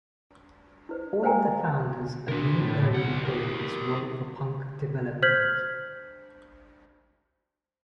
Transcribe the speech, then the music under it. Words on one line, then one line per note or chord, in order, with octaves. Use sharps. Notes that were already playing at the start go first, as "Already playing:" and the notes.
All of the founders and many early employees worked for Punk Development.
E4 B4 C5
A#4 C5 F5 G5 G#5 A#5
D4 A#4
A2 A3
B1 F#5
G4 A#4
C5 F6 G6 G#6 B6 F#7